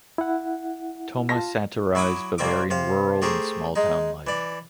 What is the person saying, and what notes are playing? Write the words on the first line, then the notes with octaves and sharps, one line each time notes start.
Thoma satirized Bavarian rural and small-town life.
E4 F#5
F4 A5 A#6
F#3 E4 E5 D6 D#6
C2 A#3 C4 E5 D6
C3 F5
A3 G4 G#4 A#4 C5
G#3 D#4
E3 D5